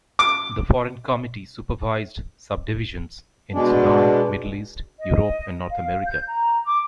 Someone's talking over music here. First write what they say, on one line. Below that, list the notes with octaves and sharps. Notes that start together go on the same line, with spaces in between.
The foreign committee supervised subdivisions in Sudan, Middle East, Europe and North America.
D6
B2 G#3 D4
D#5
F5
G6
A#5
D6